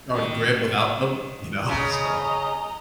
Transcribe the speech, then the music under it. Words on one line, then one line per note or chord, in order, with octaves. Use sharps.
darn grim without them, you know? So
D#3
C#3 D#5 A#5